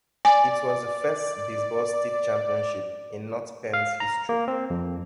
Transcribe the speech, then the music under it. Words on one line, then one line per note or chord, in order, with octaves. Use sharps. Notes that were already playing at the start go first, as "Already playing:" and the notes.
It was the first baseball state championship in North Penn's History.
D5 G#5
F5
A#5
A#3
C4
F2